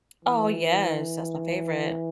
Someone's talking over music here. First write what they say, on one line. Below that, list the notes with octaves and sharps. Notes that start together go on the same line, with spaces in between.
Oh, yes. That's my favorite.
E3